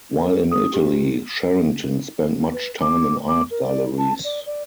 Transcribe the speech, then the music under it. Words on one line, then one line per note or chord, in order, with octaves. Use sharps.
While in Italy, Sherrington spent much time in art galleries.
A#4
D#6
G4
B4
D6
D6
A#4
D5
A5
D5
D5